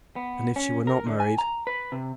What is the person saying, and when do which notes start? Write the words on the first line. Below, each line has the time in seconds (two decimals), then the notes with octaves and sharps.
"And if she were not married?"
0.16 B3
0.56 C#4
0.87 A#4
1.07 D3
1.20 G#5
1.38 A#5
1.67 B4
1.92 C3